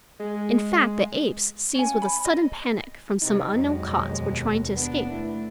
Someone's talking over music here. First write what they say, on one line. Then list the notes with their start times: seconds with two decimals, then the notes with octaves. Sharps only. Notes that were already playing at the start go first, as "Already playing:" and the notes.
In fact, the apes, seized with a sudden panic, from some unknown cause, were trying to escape.
0.20 G#3
1.75 C#4 G#5
2.02 B5
2.25 D#5
3.22 C3 D#4
3.56 F2 F#3 G#3
3.86 D#2 B2
4.76 B3 D4
5.11 A3 E4